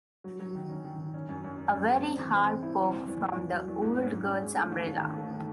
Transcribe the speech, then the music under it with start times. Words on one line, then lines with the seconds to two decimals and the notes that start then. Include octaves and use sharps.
A very hard poke from the old girl's umbrella.
0.24 F#3
0.40 F#3
0.55 D#3
0.69 C#4
0.85 D#3
0.99 D#3
1.14 C#4
1.29 F#2
1.44 F#2
1.58 C#4
1.74 F#2
1.88 G#3
2.04 C4
2.18 E3
2.33 C4
2.48 C4
2.63 E4
2.78 C4
2.93 E2
3.08 E2
3.23 E2
3.37 E2
3.53 F#3
3.68 E2
3.82 G#2
3.97 C#4
4.12 G#2
4.27 C#4
4.42 G#2
4.57 A3
4.72 D#2
4.87 D#2
5.02 D#3
5.16 A3
5.31 D#3